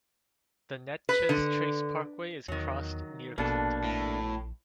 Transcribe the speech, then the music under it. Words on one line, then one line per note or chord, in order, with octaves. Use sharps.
The Natchez Trace parkway is crossed near Clinton.
B4
D3
E2 D#3 F#3
A#1 B2 A#3 D4 A4
A2